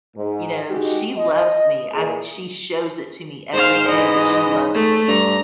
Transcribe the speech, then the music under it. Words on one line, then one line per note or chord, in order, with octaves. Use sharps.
you know, she loves me. I she shows it to me every day that she loves me.
G#2
G#3 D#4 F#4 G4
D#5
A#2 E3 G#4
G#2 C5 F5
E3 D#5
A3
G2 A#5